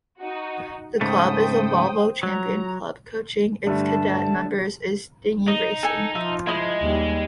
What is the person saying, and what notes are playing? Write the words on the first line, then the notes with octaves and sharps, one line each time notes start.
The club is a 'Volvo Champion Club' coaching its 'Cadet' members in dinghy racing.
D#4 F#4
G#2 C#3 A3 C5 G5 D#6
F#3 A#5
G2 D3 G3 A3 D4 A5
D#4 D#5
A4 G#5
F3 E5
G#3 E4 C5 D#5
D#2 G3